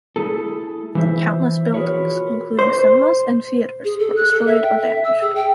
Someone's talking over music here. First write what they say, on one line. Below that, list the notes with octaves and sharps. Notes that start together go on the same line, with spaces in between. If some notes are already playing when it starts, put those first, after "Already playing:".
Countless buildings including cinemas and theaters were destroyed or damaged.
A3 E4 G#4 A4
E3 F3 E4 C5 E5
F4 F#4 G#4 A#4 B4 C#5
C5
G#4
A4
F#6
A4
E5
G5
E5
E6
G#4
G5